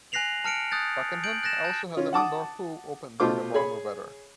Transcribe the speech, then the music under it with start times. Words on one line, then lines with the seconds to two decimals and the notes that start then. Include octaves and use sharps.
Pakenham also has an outdoor pool open during the warmer weather.
0.12 G#5 F#6 A#6 C7 F7 F#7
0.44 A5 F6 C#7 D7
0.72 D#6 F#6 G6 A6
1.24 G6 D7 F#7
1.43 F#6 A6 A#6 E7
1.64 A5 G6
1.97 C#4 F4
2.13 F#5 A5 D6 D#6
3.20 B2 A3 F4 C5 D6
3.54 G#4 C#5 B5